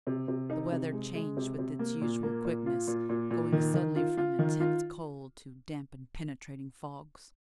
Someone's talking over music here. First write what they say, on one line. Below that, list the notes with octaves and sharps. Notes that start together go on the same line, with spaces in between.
The weather changed with its usual quickness, going suddenly from intense cold to damp and penetrating fogs.
C3
C3
D#4
C3
G#3
G#3
C3
C3
A#3
A#2
A#3
A#2
F4
A#2
A#2
A#2
D#3
D#3
F4
F4
D#3
F4